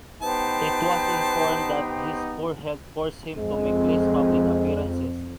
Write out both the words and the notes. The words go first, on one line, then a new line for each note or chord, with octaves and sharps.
It was informed that his poor health forced him to make less public appearances.
B3 D#4 G4 B4 C5 G5 A5
F2 G#3